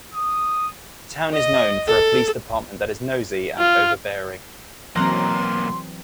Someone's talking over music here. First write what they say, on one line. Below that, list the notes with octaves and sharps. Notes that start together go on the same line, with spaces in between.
The town is known for a police department that is nosy and overbearing.
D#6
D#5
A4
F4
B1 E3 F#3 A#3 C4 F#5 A#5 C6